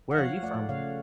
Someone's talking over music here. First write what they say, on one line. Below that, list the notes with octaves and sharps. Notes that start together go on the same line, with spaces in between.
Where are you from?
F#5
F3 C#5 F5
A3 D5 F#5
C#3 C#5 F5